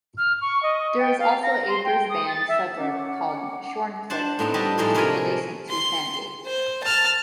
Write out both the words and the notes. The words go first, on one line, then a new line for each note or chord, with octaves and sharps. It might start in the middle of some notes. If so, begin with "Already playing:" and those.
There is also a Brisbane suburb called Shorncliffe, which is adjacent to Sandgate.
F6
C#6
D#5
G5
F5
A#6
C6
G5
D#6
A6
E5
C#4 F#5 D6
D4 C5 F#5 A5
A2 B3 C4 D#4
G3 D4 G4 A4 C#5 D#5
A2 F3 G#3 D#4 F#4 G#4
C3 A#4 C#5 D5 G#5 B5
C6
C5
A5 F6